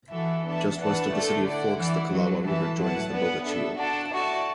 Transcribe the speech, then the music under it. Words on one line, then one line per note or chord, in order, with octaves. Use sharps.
Just west of the city of Forks the Calawah River joins the Bogachiel.
E3 F#4 A4 E5
B3 D4 A4 E5 A5
E3 D4 B4 F#5 A5
D3 A3 D4 A4
E4 D5 F#5
E3 E4 D5 F#5
F#3 D4 F#4 B4
E3 A3 F#4 B4 E5 A5
F#3 E4 B4 F#5 A5
B3 D4 B4 F#5
D4 A4 E5
D4 F#4 A4 D5 F#5 A5
A3 E4 F#4 A4 D5 A5